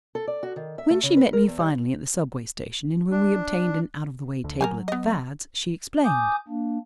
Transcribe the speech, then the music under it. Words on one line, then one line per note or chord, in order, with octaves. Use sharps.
When she met me finally, at the Subway station, and when we obtained an out-of-the-way table at the Fads, she explained.
A4
D5
F#4
D#3
E5
A3
C#3
B4
A#4
E2
G3
D4
D2 D3
F#3 A#4 C5 G#5
B3 D#5
G#5 D6 D#6 G6
A#3 D4